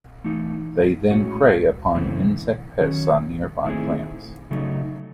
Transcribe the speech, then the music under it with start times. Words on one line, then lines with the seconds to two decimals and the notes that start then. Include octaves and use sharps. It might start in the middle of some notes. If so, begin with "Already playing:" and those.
They then prey upon insect pests on nearby plants.
0.24 E3 A3 D#4
1.10 A2 G#3 C#4 F#4
1.95 F#2 C#3 E3 A3 C4
2.81 D#3 F#3 C#4
3.65 D#3 A3 C4 E4 G#4
4.51 C#3 F#3 A3 D#4